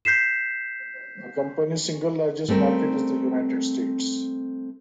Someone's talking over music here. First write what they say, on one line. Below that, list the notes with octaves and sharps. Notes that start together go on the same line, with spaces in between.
The company's single largest market is the United States.
G6 B6 C7 E7
G3 A3 C4 A#4